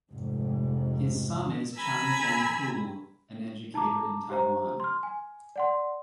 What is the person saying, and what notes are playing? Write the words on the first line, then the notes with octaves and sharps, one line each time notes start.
His son is Chang Jen-Hu, an educator in Taiwan.
F1 G#2
G#5 A#5 B5 E6
D#4 A5 A#5 D6
G4 C5 A#5
C6 F6
G#5
D5 F#5 C6